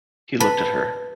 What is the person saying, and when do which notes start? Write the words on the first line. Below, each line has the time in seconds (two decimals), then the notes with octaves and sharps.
He looked at her.
0.40 B4 A5